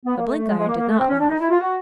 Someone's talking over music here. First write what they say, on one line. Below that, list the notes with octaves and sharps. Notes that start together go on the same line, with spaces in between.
But Blenkiron did not laugh.
B3
A#3
A3
A3
G#3
G#3
A#3
A#3
A3
C4
C#4
D4
D#4
E4
F4
F#4